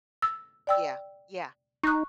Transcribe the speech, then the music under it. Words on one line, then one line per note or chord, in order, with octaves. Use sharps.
Yeah, yeah.
E6
D5 G5 E6
D#4 C#6 F#6